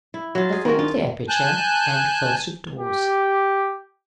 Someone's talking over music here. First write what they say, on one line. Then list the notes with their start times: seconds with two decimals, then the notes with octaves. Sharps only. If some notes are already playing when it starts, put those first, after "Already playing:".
The form of the aperture: and first of doors.
0.14 E4
0.35 F#3 F4
0.52 G#4
0.65 D#3 C4 F#4 A#4
0.79 F4
1.29 G#5 A5 F#6 G6
2.79 G4